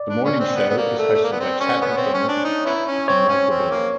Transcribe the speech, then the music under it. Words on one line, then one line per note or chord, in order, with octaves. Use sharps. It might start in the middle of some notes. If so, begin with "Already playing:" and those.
The morning show is hosted by Chad McDonald and Michael Ball.
Already playing: D5
D4
C#4
C4
B3
B3
A#3
A3
A3
A#3
B3
C4
C#4
B3 C#5
C4
C#4
D4
D#4
B3 C#4 E4
C#4
C4 C#5
C#4
C4
A#3